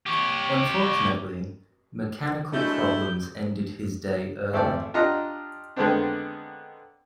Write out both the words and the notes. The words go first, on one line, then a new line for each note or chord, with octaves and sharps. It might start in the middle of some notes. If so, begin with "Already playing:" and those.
Unfortunately, mechanical problems ended his day early.
G4 C#5
F#3 G#3 A3 D4 E4 G6
G#1 A3 C4 A4 D5 G5
D4 F4 G4 D#5 F#5 A#5
D3 D#3 G#3 B3 C4 D4